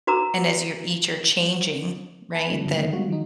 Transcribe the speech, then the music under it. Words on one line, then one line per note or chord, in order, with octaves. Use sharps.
and as you're each are changing, right, that
F#4 B4 A#5 D6 E6
A5 B5
D3 E3 A3 C4 D4
G2 D3 F#3
D#3 A#3 B3
G3 G#3 F4 F#4
D#3 F#3 D#4